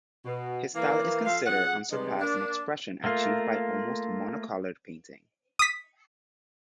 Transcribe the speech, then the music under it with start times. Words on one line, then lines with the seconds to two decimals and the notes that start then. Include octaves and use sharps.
His style is considered unsurpassed in expression achieved by almost mono-colored painting.
0.25 B2
0.74 E3 A#3
1.25 F3 A4 F5
1.45 F2 G#4 F#5
1.91 C3 G3 G#3 B3 D#4
2.19 A#3 D4
3.04 A3 A#3 F4
5.59 D#6 B6